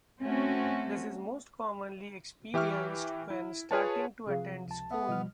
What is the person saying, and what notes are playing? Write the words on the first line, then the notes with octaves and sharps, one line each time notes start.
This is most commonly experienced when starting to attend school.
A3 C4 C#4 F#4
E3 G4 E5 C#6 F6
E4
F4 G#4 B4 C#5 G#5 A5
C3 F3 G#4 B4 F5
C#2 A5
B3 A4 E5
B2 F3 G3 D#5 F6